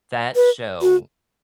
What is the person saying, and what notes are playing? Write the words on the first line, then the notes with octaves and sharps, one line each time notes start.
That show,
B4
F#4